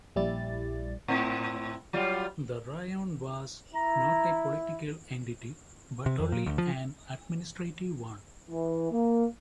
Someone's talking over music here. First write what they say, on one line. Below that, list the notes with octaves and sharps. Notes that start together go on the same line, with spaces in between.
The "rione" was not a political entity, but only an administrative one.
A#1 G3 E4 D5 A6
A2 C4 E4
F#3 G3 F4
E4 A#5
C3
F2
A#2
D2
F3
E3
A#3